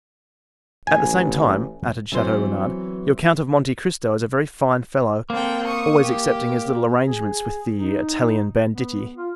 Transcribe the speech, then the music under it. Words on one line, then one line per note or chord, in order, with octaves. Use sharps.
"At the same time," added Chateau-Renaud, "your Count of Monte Cristo is a very fine fellow, always excepting his little arrangements with the Italian banditti."
A1 G#5
E3 F#3 B3 C4 C5
A#3 C4 A4 G5
C#6 D#6
G4
G#4
D#4
B3
F4